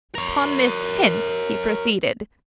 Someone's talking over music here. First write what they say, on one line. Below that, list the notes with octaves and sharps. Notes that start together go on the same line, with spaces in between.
Upon this hint he proceeded.
A#4 C#5